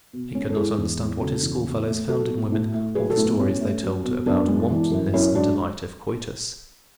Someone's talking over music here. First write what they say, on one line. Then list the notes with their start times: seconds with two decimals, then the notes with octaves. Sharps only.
He could not understand what his schoolfellows found in women, or the stories they told about wantonness and delight of coitus.
0.13 B2
0.34 G#3 C#4
0.50 A4
0.56 G#3 E4 G#4
0.78 E2
1.00 G#3
1.21 C#3 F#4 A4
1.43 E2
1.65 B2
1.87 A3
2.09 F#3 F#4 A4
2.30 B2
2.52 A2
2.74 A3
2.95 F#3 G#4 B4
3.10 F#4 A4
3.17 A2
3.25 B3
3.39 B2 C#4
3.61 A3
3.83 F#3
4.05 B2
4.26 F#2 B3 D4
4.48 G#3
4.70 E3
4.92 F#2
5.14 F#2 C#4 E4
5.35 G#3 D4 F#4